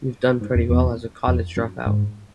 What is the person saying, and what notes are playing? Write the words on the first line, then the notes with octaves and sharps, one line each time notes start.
You've done pretty well as a college dropout!
G#2
F2
E2
F2
F#2
G#2